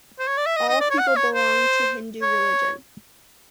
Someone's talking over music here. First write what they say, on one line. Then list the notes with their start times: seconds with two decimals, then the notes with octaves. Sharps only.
All people belong to Hindu religion.
0.19 C5
0.27 C#5
0.37 D5
0.46 E5
0.57 D#5
0.69 D#5
0.80 D5
0.90 C#5
0.99 F#5
1.07 F5
1.16 C#5
1.34 C5
2.22 C#5